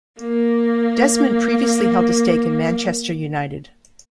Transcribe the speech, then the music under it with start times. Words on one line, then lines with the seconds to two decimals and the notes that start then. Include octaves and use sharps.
Desmond previously held a stake in Manchester United.
0.20 A#3